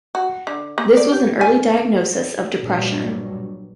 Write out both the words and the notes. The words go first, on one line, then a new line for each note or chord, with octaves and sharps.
This was an early diagnosis of depression.
F#4
D3
A#3
D5
G4
G#5
A#1 G2 F#3